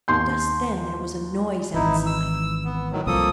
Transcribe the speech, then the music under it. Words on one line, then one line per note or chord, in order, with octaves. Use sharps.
Just then there was a noise outside.
D#2 C6 G6
G#1 E3 D#4 E4
E6
B3
A2 D#3 F#3
C2 F3 A#3 A4 D#6